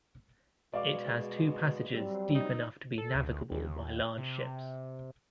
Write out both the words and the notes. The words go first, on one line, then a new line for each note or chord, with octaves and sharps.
It has two passages deep enough to be navigable by large ships.
B2 G#3 D5 F5 D6
F#3 G3 C4
D#4
A4
D2
D#2
C3